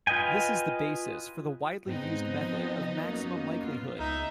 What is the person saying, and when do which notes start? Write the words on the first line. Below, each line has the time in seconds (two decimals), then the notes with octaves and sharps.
This is the basis for the widely used method of maximum likelihood.
0.07 F4 B4 D#5 G5 G#5
1.86 G#2 B3 C4 D#4 D#5
2.32 F3
3.04 F#2 A#3
3.59 B3 F4
3.99 C#2 D#4 E5